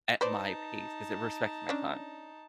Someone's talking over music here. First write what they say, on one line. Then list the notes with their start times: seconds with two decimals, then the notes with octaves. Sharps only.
at my pace, 'cause it respects my time.
0.21 D#4 B4 C5 D5 A5
1.69 C#4 D4